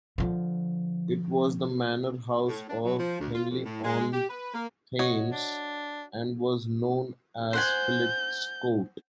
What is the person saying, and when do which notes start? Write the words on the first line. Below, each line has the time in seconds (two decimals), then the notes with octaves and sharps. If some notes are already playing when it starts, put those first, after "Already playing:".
It was the manor house of Henley-on-Thames and was known as "Fillets Court".
0.18 D3 F3
2.48 A2
2.68 D4
2.84 F#3
2.98 F3
3.20 D2
3.34 F4
3.49 F2
3.65 A2
3.83 G#3
4.12 G4
4.29 B4
4.54 A#3
4.99 F#4 C#5 D#5
5.32 D4
7.53 C5 F#5 G#5 G6